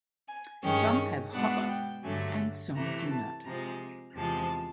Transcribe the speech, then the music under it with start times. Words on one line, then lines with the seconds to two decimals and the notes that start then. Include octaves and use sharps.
Some have hop-up and some do not.
0.27 G#5
0.63 G2 D#3 G#3 C#4 G5
1.33 B2 G#3 B3 D4 F#5
1.68 G5
2.03 G2 D3 F#3 A3 G#5
2.75 C3 E3 A3 A#5
3.09 A5
3.44 C3 F3 G#3 A#5
4.15 E2 C3 F3 G#3 A5